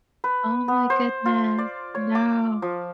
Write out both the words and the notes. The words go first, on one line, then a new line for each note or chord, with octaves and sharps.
Oh my goodness. No.
B4
B3
C5
F4
D5
C#5
D6
F3